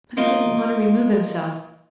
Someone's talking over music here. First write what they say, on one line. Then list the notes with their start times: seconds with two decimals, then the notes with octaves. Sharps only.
But he didn't want to remove himself.
0.17 A#3 D#4 F4